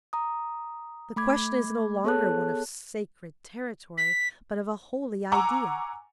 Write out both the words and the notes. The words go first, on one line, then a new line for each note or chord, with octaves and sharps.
The question is no longer one of sacred territory,--but of a holy idea.
A#5 D#6
A3 B5 D6 G#6
B3 G#4 A4 C#5 A5 F#6
B6
F#5 G#5 A#5 C#6 D6 E6